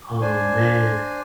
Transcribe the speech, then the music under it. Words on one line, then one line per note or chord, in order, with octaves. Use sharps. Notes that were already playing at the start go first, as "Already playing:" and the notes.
Oh, man.
D4 C5 G#5